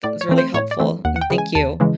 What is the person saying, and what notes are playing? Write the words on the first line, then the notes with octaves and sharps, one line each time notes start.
that was really helpful, and thank you
A2 D5
C#5
E3 A3 C4
C5
A2 C#5
D5
E3 A3 C4
D#2 F#5
F#5
G5
C#3 E3 G#3
G#5
D#2 A5
C#3 E3 G#3